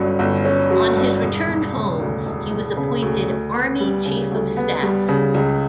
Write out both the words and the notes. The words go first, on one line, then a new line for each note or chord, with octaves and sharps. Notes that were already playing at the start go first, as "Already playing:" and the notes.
On his return home, he was appointed Army Chief of Staff.
Already playing: G1 G2 F#3 C#4
G1
C#4
F#3
G2
E1
E1
C#3
D2
E1
E1
C#3
D2
D2
B3
G3
C#3
D2
B3
G3
C#3
C#2